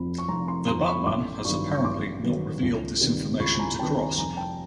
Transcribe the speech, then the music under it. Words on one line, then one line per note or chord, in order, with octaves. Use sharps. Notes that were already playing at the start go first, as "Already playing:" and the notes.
The Batman has apparently not revealed this information to Cross.
Already playing: F1 F2 C3 F3 B5
C#6
F1 A#5 C6
A#5 C6
F2 C3 F3 A#5 C6
B5 C#6
A1 C6 D6
G2 D#3 F#3 B3 B5 C#6
C#6
A1 C6 D6
G2 D#3 F#3 B3
C#2
C3 D#3 G3 B3
C#2 B5 C#6
B5
G#5 A#5
C3 D#3 G3 B3 G5 A5
G#5 A#5
F1 G#5 A#5
G5 A5